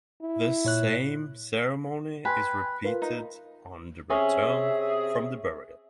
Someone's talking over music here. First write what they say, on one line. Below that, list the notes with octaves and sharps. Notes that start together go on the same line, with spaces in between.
The same ceremony is repeated on the return from the burial.
E4
A#2 C#5 F#6
B4 G5 G#5 C6
F4 A#4 B4
D#4
C3 C4 C#4 G#4 E5